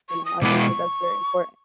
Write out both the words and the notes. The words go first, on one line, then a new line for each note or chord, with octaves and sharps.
You know, I think that that's very important.
C#6
D#6
B2 G#3 B3 E4 D6
C#6